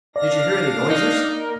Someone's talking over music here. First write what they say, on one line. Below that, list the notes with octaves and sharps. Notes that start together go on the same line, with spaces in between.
"Did you hear any noises?"
D4 D5 F5 A#6
D#4
A#3 A#4